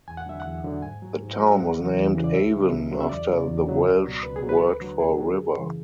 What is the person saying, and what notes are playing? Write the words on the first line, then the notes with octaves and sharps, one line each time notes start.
The town was named Avon after the Welsh word for river.
E2 G#5
F#5
D3 F#3 E5
E2 F#5
D3 F#3
G#2 G#5
F#3
G#2
F#3
E5
E2 F#5
C#3 E3
E2
C#3 E3
D5
C#2 E5
C#3 F#3
C#2
C#3 F#3
E5
E2 D5
C#3 F#3
E2
C#3 F#3
C#2
B2 F#3
C#2 B4
G#4
B2 F#3
B4
A4
D2 B4
D3 F#3
D2 G#4
D3 F#3
F#2
C#3 E3